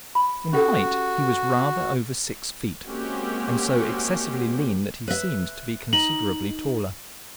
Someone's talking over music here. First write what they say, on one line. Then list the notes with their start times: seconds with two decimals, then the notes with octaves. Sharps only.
In height he was rather over six feet, and so excessively lean that he seemed to be considerably taller.
0.15 B5
0.53 C#4 F#4 G4 A4
2.87 G#3 A#3 C4 C#4 F#4 G4
5.08 B4 E5
5.93 D#4 F#7